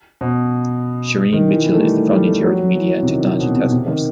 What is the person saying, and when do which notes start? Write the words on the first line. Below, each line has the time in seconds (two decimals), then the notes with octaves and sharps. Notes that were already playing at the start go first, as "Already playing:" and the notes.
Shireen Mitchell is the founding chair of the Media and Technology taskforce.
0.21 B2
1.33 D#3
1.48 E3
1.64 E3
1.74 A3
1.80 G3
1.96 A3
2.12 G3
2.27 A3
2.43 F#3
2.76 E3
3.03 C3
3.07 D#3
3.24 C3
3.40 B2
3.55 C3
3.72 C3
3.87 D#3